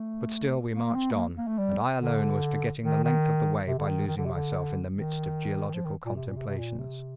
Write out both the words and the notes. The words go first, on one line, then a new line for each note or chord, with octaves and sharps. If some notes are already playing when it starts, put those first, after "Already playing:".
But still we marched on, and I alone was forgetting the length of the way by losing myself in the midst of geological contemplations.
Already playing: A3
A#3
C4
A3
A#3
A#3
A3
G3
D3
D#3
D#3
C3
D3
D#3
D#3
D3
C3
D3
D#3
D#3
F3
D#3
A#2
C3
A#2
C3
C3
A#2
C3